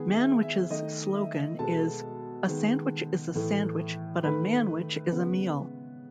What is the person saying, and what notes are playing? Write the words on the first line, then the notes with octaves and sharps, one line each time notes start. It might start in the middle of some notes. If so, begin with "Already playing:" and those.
Manwich's slogan is, A sandwich is a sandwich, but a Manwich is a meal.
Already playing: D#3 G#3 B3 G#4 G#5
E5
E5
E5
D#3 A3 D#5
E5
B2 G#3 B3 A4 A5
D#3 G#3 B3
A2 E3 A3
D#3 A3 B4 B5
C#3 G#3 B3